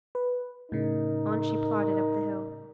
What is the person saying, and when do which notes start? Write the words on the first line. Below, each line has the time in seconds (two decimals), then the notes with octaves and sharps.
On she plodded up the hill.
0.15 B4
0.72 A2 C#3 D#4 A#4